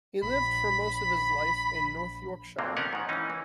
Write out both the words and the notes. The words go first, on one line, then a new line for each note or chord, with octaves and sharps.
He lived for most of his life in North Yorkshire.
A#1 B5
F2 A#2 D3 F#3 A#3 C4
B3 C#4 D#4 A#4 F#5
G#2 D#3
E3 A#3 C#4 D#4
E3